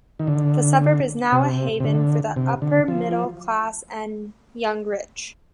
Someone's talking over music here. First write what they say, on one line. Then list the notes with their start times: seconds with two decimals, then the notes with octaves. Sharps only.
The suburb is now a haven for the upper middle class and young rich.
0.19 D#3
0.27 D3
1.32 C3
1.80 C3
1.84 D3
2.36 C3
2.62 D3
2.88 F3